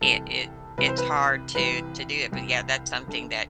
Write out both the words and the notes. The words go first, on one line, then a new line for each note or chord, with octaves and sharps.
it it it's hard to to do it. But, yeah, that's something that
C2 C3 E3 A4
C2 C3 E3 B4
C5
B4
C2 C3 E3 B4
C2 C3 E3
D2 D3